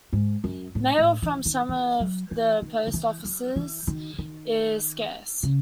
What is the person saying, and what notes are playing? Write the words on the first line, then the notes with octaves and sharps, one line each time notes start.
Mail from some of the post offices is scarce.
G#2
F#2
A2
A2
E3
D#3
E3
F#3
E3
D#3
D#3
E3
F#3
E3
D#3
D#3
C#3